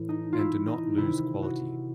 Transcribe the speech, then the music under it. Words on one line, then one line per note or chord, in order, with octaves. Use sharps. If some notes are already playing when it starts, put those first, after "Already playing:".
And do not lose quality.
Already playing: A2 E3
D#4
F4
E4
D#4
C3 D#3 E4
F#4